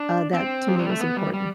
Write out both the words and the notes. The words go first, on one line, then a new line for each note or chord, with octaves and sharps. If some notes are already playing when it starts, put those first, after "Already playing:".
uh, that to me was important.
Already playing: D4
C4
F3
G3
A3
B3
G3
G3